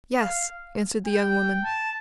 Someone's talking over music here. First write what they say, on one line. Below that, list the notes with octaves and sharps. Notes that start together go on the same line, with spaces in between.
"Yes," answered the young woman.
F5
G5
A5